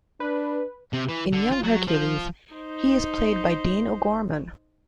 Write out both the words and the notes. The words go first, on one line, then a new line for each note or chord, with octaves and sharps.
In "Young Hercules", he is played by Dean O'Gorman.
D4 B4
C3
E3
D3
F4
F#3
F3
D#4 C5